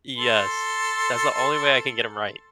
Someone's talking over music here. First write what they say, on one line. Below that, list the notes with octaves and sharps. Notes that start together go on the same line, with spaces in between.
Yes, that's the only way I can get 'em right.
A4 C6